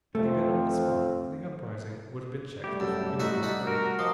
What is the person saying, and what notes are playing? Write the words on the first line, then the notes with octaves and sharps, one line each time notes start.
Had he been on the spot, the uprising would have been checked before any one heard of it.
F2 A3 C4 F4
G3 A3 G4
F#2 A4
A1 D#4 F#4 E5
D4 D#4 B5
F#4 A#4
F3 D#5 C6 D6